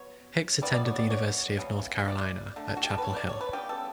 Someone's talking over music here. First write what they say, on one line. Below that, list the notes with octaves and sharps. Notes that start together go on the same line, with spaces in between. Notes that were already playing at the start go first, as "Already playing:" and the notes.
Hicks attended the University of North Carolina at Chapel Hill.
Already playing: F#3 B3 C#5
E3 G3 B3 D5
D5
C#5
D5
C#5
C#3 E3 B3
D5
D3 A3
F#4
G4
A4
B4
C#5
D5
C#5
B4
C#3 G3 B3 G4
A4